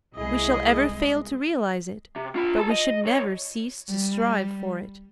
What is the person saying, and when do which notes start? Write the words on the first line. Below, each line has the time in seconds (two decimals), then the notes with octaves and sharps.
We shall ever fail to realise it, but we should never cease to strive for it.
0.16 C2 G#3 E4 G#4 D#5
2.16 C3
2.35 F4 B5
2.59 G#4 A5
2.70 D#5
3.05 C2 C#5
3.89 G3